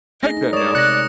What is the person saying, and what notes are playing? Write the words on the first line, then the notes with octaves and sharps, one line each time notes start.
take that down.
A3 D#4 G#4 A#6
D#4
G#3 A#4 C#5 D5 D#6 E7
C3 F#6 A#6 C#7